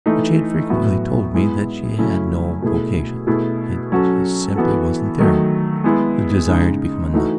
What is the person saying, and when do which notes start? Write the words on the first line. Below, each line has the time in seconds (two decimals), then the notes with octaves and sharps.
But she had frequently told me that she had no vocation; it just simply wasn't there--the desire to become a nun.
0.06 E3 A3 D#4
0.70 A2 F#3 B3 F#4
1.34 G#3 B3 E4
1.98 C#3 F#3 A3 C#4 E4
2.62 B2 A3 E4 G#4
3.27 B2 A3 E4 G#4
3.92 F#3 C#4 F#4 A4
4.56 E3 B3 F#4 A4
5.19 D#3 F#3 A3
5.84 G#3 B3 E4 G#4
6.48 C#3 G#3 D#4
7.13 E3 A3 D#4 F#4